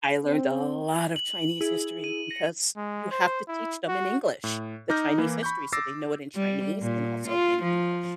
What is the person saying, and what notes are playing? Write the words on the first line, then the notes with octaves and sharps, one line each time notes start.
I learned a lot of Chinese history because you have to teach them in English. The Chinese history, so they know it in Chinese and also in English.
C4
F#7
E4 G#4
D#7
A#6 C#7
G#3
C5
E4
F#4
A2
D#4 D6 F6 G6 A#6
E3 A#3 E4
B5 C#6 G6
D6 E6 A6 A#6 C7
G3
A#2
F4
F3